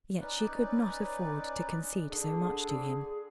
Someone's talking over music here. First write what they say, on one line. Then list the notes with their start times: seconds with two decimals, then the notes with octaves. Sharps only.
Yet she could not afford to concede so much to him.
0.21 C#4 D#4 B4 D5
2.09 D3 G#4